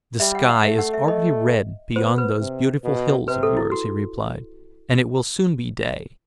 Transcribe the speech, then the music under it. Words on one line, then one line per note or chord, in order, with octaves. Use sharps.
"The sky is already red beyond those beautiful hills of yours," he replied, "and it will soon be day."
G3 E5
F#5
F#5
A3 E5
F#5
E5
D#5
B3 C5
B4
C3
B2
C3 B4
A4
E4
F#4